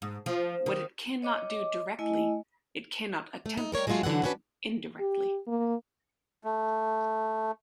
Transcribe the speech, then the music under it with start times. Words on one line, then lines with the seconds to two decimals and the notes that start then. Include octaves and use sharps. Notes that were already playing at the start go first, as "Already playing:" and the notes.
What it cannot do directly, it cannot attempt to do indirectly.
0.02 G#2
0.26 F3
0.66 D#3
1.22 C#5 D#5 D6
1.99 A3 E4 D#5 G#5
3.46 A3
3.57 D#4
3.72 G3 A#4 C#5
3.87 F#3 G#3 A3 D4 F4 F#4
4.03 D3 E3 F#3 F#5
4.24 C#4 D4 F#4 B4
5.00 G4
5.48 A#3
6.44 A3